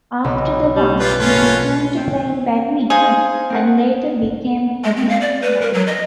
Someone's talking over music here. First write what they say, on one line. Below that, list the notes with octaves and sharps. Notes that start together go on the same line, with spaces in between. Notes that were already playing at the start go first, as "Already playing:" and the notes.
After the war, he returned to playing badminton and later became a businessman.
B1
G3
G3 F4 B4
A3 C#4 F4
C4
D#4 G#4 C5 F5 C6
C4 A#4 F#5
G#3
C4
F5
D5
B4
A#4
F#3
D#5